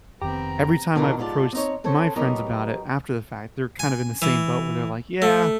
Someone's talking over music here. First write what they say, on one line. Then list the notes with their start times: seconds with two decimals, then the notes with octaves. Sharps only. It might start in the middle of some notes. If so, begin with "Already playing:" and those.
every time I've approached my friends about it after the fact, they're kind of in the same boat where they're like, "Yeah,
0.22 F1 D#3 B3 C4 G4 A#5
0.95 B2 D#3 E3 D4 F4 A#4
1.19 G#2 F4 G4 D5 A5
1.53 C4 D#4 C#5
1.84 C4 A4 C5 C#5
2.16 F#3 B3 D#4 G4 A#4
3.79 G#5
4.22 E3
5.22 A3